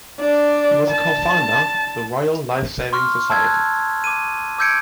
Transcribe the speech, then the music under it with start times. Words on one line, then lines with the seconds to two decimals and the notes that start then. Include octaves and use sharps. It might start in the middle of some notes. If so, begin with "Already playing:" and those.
He was a co-founder of the Royal Life Saving Society.
0.20 D4
0.91 A5
2.93 C6 C#6 F6
3.30 A5 E6 G#6
3.47 F#6
4.04 D6 D#7
4.58 D6 E6 G6 G#6 C#7 D7